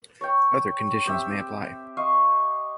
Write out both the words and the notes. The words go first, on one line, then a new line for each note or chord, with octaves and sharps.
Other conditions may apply.
C#5 G5
C4 G4 E5
D#5 F5 C6 C#6